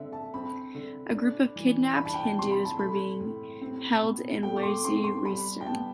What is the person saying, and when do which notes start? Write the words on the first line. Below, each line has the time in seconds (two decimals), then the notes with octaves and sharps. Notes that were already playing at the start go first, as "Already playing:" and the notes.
A group of kidnapped Hindus were being held in Waziristan.
Already playing: D3 C4 E5
0.13 A5
0.34 C4 B5
0.75 D3
1.15 D4
1.56 E3
1.97 D4 B5
2.05 A5
2.14 G5
2.23 A5
2.38 C3 C6
2.51 B5
2.65 A5
2.79 A3 B5
3.20 A2
3.62 C4
4.02 B2
4.43 A3 G5
4.57 D6
4.63 C6
4.84 C4 C6
5.04 C6
5.25 G3 B5
5.61 G5
5.66 B3 A5